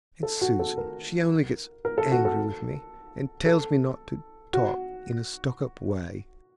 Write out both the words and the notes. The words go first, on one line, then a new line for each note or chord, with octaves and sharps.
And Susan, she only gets angry with me, and tells me not to talk in a stuck-up way.
A4
F#4
A4
A#4
A#4
A4
F#4
A4
A4
F#4